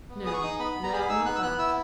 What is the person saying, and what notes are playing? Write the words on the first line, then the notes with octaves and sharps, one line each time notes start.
No, no: not that.
B3
G#4 D#6
C#6
D#4 D#6
B3 B5
B3
A#5
G#4 B5
D#4 E6
B3 F#6
E6
B3 F#6
E4 E6